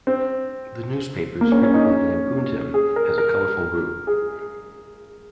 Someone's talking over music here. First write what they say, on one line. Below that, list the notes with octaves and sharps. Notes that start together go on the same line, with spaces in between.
The newspapers frequently lampooned him as a colorful rube.
C4
A#3
C#4
C#4
D#4
C#4
G#4
A#4
A#4
G#4